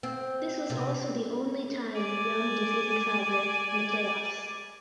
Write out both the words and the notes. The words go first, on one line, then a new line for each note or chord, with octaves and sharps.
This was also the only time Young defeated Favre in the playoffs.
C4
C3
D5 G#5 D6